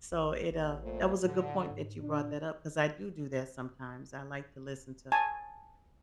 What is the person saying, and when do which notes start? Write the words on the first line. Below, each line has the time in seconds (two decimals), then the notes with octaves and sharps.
So, it, uh that was a good point that you brought that up 'cause I do do that sometimes, I like listen to
0.11 A#1
0.51 A1 D#2
0.82 A#2 A3 C5
1.25 A2 D3
1.70 G#2
2.01 A#2 D4
5.12 G#5 A5